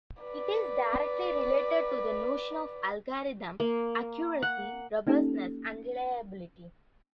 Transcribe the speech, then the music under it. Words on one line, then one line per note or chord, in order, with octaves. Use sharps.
It is directly related to the notion of algorithm accuracy, robustness, and reliability.
B4 D5
A#3
F#5
A#3 C#4 D#4 G4 A4